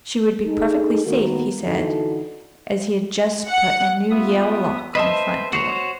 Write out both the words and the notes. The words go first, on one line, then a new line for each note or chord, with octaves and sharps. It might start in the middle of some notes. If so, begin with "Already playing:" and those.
She would be perfectly safe, he said, as he had just put a new Yale lock on the front door.
D#4 G#4 A4
D#3 A#3 B3 F#4 A#4
D3 E3 D#4 E4 F#4 A4
F#5
B3 F4 E5 D#6
B4 C5 D#5 E5 A5
F#4 C5 C#5